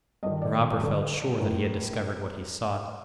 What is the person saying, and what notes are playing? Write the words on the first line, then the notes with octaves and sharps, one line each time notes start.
The robber felt sure that he had discovered what he sought.
G2 D#3 D#5
D5
F5
G2 D3 A4
A2 A#4